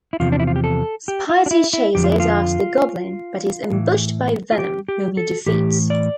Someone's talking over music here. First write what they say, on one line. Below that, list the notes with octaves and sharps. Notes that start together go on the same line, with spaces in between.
Spidey chases after the Goblin, but is ambushed by Venom, whom he defeats.
E4
E2 C3 F3 F4
D4
E4
F4
G4
A4
G4
F4
D4
E4
E4
F2 D3 F3 G4
F4
E4
F4
A2 E3
F4
G4
G4
A4
A2 E3 G4
D5